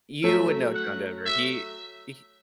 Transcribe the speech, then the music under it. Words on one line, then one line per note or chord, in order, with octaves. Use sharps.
You would know John Denver. He h
F#3 A3 E5
F#5
E5